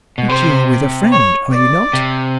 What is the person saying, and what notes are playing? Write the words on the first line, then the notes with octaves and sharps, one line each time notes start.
"But you are with a friend, are you not?"
B2
C3 C5
C#5
D5
C3